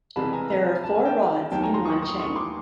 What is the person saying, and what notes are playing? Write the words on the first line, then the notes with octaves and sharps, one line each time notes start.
There are four rods in one chain.
C2 C3 E3 G#3 A5 B5
G#5 A#5
G#5 A#5
A5
G#5
G5 A5
D#2 D#3 F#3 G5 A5
G#5 A#5
A#5 C6
C#6 D#6
C#6 D#6
C#6 D#6
C6 D6